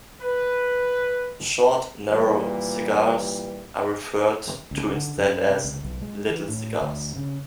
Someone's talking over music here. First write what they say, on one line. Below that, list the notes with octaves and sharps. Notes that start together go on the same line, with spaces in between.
Short, narrow cigars are referred to instead as "little cigars".
B4
A#2 E3 G3
C#2
D3
F#2
C3
C#2
B1
G#3
E3
A2
D2
C#3